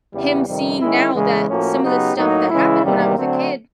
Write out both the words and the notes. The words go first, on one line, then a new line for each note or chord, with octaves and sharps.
him seeing now that some of the stuff that happened when I was a kid
E2 C#3 E3 G3
F2 C3 D#3 G3
D#3 G#3 C#4 E4
E2 C#3 E3 G#3
A2 F3 A#3 C#4 F#4
C#3 F#3 B3 D#4 G4
A2 F#3 A#3 D#4
C#3 E3 G#3 C#4 E4
E2 C3 D#3 G3 A#3
D3 F#3 A3 C4